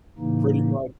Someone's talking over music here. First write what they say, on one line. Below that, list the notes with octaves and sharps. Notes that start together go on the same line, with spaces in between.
Pretty much
A2 C#3 E3 A#3 D#4